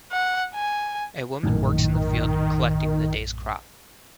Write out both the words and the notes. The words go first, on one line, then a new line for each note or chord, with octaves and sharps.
A woman works in the field collecting the day 's crop.
F#5
G#5
A#1 F#2 A2 D#3